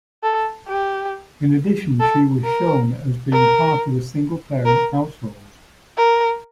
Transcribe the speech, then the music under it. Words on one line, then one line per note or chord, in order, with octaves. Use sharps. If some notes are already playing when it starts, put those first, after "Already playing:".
In addition, she was shown as being part of a single-parent household.
A4
G4
A4
A#4
A#4
A#4
A#4